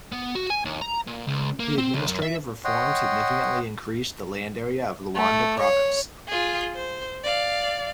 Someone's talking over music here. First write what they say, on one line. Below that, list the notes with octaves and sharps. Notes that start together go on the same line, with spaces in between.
The administrative reform significantly increased the land area of Luanda Province.
B3
F#4
G#5
D#2
A#5
A#2
C#2
A#3
C4
C#2
F#2
E5
C#5 D#5 F#5 G5 C6
A3
C#5
F4 G#4
C5
D5 F5